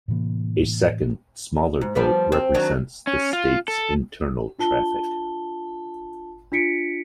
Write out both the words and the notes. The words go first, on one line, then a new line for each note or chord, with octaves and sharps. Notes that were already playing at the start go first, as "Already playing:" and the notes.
A second, smaller boat represents the state's internal traffic.
A2 C3 E3 A#3
G#2
F3 G3 B3
C4
D#3 F#3 D4
C#4
F4
A4
D4 F4 A5 G7
D4 F4 B6 C#7 D7